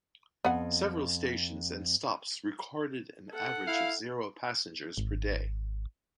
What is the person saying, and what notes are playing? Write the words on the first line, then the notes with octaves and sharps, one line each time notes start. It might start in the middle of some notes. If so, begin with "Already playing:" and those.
Several stations and stops recorded an average of zero passengers per day.
F2 B3 F#5
A4 F#5
E4 F5
G#1